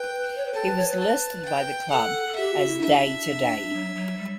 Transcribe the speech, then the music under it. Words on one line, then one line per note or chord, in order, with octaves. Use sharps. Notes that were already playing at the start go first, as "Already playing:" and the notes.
He was listed by the club as day-to-day.
Already playing: B4 G5
C#5
B4
A4 A5
B4
C#5
B4
A5
G5
A4 F#5
A4
G4 E5
F#4
E4
D4 E5
F#3
F#3
G3